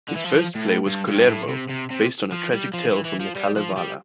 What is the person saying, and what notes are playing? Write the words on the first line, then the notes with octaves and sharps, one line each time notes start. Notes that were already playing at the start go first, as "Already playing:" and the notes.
His first play was "Kullervo", based on a tragic tale from the "Kalevala".
D3
E3
F3
A2
G2
G2
A2
C3
C3
C3
F3
G3
F3
E3
E3
F3
G3
F3
G3